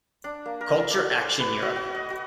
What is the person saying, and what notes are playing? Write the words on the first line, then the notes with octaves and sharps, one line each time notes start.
Culture Action Europe.
D4
A#3
A#4
A4
D5
F#5
C5
B4
F#4
F#4
D#5
F#4